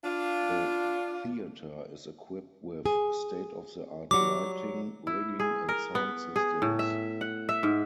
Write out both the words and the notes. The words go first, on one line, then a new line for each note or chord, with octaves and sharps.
The theatre is equipped with state-of-the-art lighting, rigging and sound systems.
D4 F4
G#4
F#3 G3 F#4 D6
E4
G#4
A#4
B3
G#4
A2
E5
F#5
E5
G#2